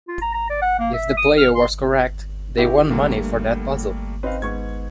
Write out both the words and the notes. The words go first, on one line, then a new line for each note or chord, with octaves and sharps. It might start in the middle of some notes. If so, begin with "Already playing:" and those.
If the player was correct, they won money for that puzzle.
F4
A#5
A#5
D5
F#5
A#3
E5
D#6
F6
C6
E4 F#4 G4
D2 G3 A3 A#3
C4 D#4 B4 F5
G#2 B3 C#6 G#6